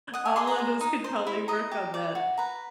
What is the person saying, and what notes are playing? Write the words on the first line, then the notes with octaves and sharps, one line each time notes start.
all of us could probably work on that.
D#5 F#5
G#5
G#4 C6
A#5
C5
D#4
C5
E4
D#5 A#5
G4
D5
F#4
B4 A#5